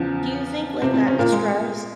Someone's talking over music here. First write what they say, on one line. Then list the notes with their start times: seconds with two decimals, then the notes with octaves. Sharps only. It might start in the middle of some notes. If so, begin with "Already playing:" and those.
Do you think, like, that stress
Already playing: E2 C#3 F3
0.82 C3 C4
0.94 C3 C4
1.07 C#3 C#4
1.19 A#2 A#3
1.32 G#3